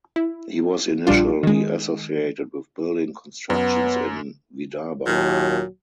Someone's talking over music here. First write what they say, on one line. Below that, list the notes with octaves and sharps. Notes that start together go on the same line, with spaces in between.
He was initially associated with building constructions in Vidarbha.
E4
A#1 G3 D4 F4
D#3 G#3
F#2 B3
D#2 A#2 F#3